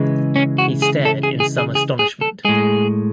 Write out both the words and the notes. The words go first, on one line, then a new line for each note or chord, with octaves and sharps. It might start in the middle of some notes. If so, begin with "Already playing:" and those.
He stared in some astonishment.
Already playing: C#3 E3 G#3
C#4
F#4
G#4
A4
G#4
G#4
G#4
G#4
G#4
A4
A2 G#3 G#4